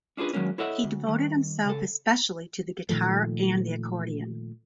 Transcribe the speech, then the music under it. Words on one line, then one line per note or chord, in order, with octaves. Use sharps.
He devoted himself especially to the guitar and the accordion.
C#4 D4 F4 G#4 B4
D#3 F#3 G#3 A#3 C#4
E4 A4 C#5 D#5 E5 F#5
D2
D#3 G3
C#3 A4
A#2 D#3 F3 A3